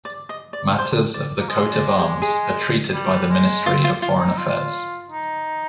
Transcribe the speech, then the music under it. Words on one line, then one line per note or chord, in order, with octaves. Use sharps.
Matters of the coat of arms are treated by the Ministry of Foreign Affairs.
D5
D#5
D5
C5
D5
A#3
G#3 D#5
D5
G4
G#4
G3
G#3
C4 F4
F4
F4
D#4
F4
D#4